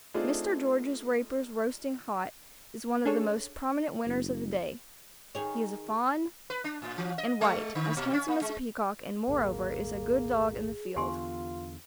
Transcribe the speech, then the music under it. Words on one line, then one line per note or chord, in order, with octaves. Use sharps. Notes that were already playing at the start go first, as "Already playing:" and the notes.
Mr. George Raper's Roasting Hot is one of the most prominent winners of the day; he is a fawn and white, as handsome as a peacock and, moreover, is a good dog in the field.
A3 C4 D4 D#4 F4 G#4
C#4 D4 G#4 A4 C#5
F#1
D#3 G#4 C#5
B4
D4
A2
E3
D#5
G#3
D3
A#2
C#4
A#3
G#3
D#1 G#1 A#3 G#4
E2 D3 B3 F4 G4 G#5 C6